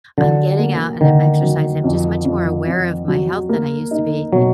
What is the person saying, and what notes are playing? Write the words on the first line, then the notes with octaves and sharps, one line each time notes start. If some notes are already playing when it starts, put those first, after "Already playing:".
I'm getting out, and I'm exercising. I'm just much more aware of my health than I used to be,
D3 F#3
A#3
D3 D#3
F#3
F2
F2
F2
F#3
A#3
D#4
B2 F#3